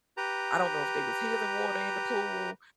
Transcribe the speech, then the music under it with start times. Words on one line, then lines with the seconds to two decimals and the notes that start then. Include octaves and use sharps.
I don't know if there was healing water in the pool,
0.17 G4 B4 A#5